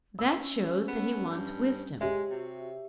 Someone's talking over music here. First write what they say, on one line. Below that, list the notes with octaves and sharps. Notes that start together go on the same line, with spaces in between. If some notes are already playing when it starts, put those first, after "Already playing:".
That shows that he wants wisdom.
C#4 E6
B3
G2
G#3 G4 C#5 E5
C3 F#4